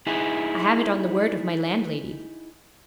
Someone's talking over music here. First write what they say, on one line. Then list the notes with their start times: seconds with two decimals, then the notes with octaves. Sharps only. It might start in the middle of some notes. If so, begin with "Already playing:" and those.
I have it on the word of my landlady.'
0.07 D#4 E4 G#4